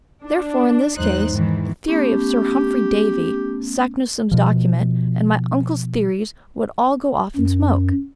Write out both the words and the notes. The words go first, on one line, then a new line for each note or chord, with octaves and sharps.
Therefore, in this case, the theory of Sir Humphry Davy, Saknussemm's document, and my uncle's theories would all go off in smoke.
D4
E2 G#2 F#3 D#4 C5 F#6
G#2 D#3 E3
A3 B3 C#4 G4
B2 F3
F#2